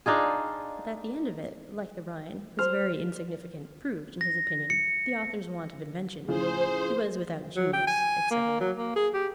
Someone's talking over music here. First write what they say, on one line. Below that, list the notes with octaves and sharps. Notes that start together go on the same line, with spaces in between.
But that the end of it, like the Rhine, was very insignificant, proved, in his opinion, the author's want of invention; he was without genius, etc.
D4 D#4 F4 G#4
C5 F6
A#6
C#7
A2 C#3 F3 G#4 C5
F#3
G5
G#5
A#3
F#3
A#3
G#4
G4